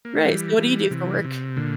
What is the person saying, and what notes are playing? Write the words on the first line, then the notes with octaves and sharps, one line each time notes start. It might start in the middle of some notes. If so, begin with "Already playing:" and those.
Right, so what do you do for work?
A#3
A3
E3 G3
E3 G3
C3 E3
C3
A#2 D3